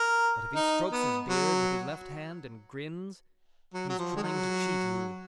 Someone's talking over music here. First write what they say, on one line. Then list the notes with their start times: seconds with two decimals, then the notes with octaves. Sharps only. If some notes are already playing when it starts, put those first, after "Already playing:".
But if he strokes his beard with his left hand and grins--he is trying to cheat you.
Already playing: A#4
0.55 D#4
0.92 B3
1.28 F#3
3.74 F#3
3.89 F#3
3.98 F3
4.16 G#3
4.23 F#3